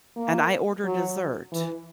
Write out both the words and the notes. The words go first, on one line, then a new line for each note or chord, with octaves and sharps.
and I order dessert
A#3
F#3
E3